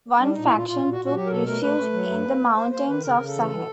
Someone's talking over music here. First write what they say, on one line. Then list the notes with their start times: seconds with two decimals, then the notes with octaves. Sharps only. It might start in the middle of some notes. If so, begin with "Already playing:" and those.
One faction took refuge in the mountains of Sahel.
0.20 G3 D4
0.33 A#2 D#4
0.44 E4
0.52 A#2 F4
0.68 A#2 F4
0.84 A#2
0.91 F#4
1.00 A#2
1.05 F#4
1.14 F#3 G4
1.26 A#4
1.31 B2 A4
1.46 A3 A#4
1.61 A3 B4
1.78 A3
1.93 F#3
2.09 G2
2.25 A#3
2.40 A#3
2.56 A#3 C5
2.72 A#3 C5
2.87 D#3 B4
3.03 C#3 A#4
3.19 C#3
3.27 A4
3.35 E3
3.51 E3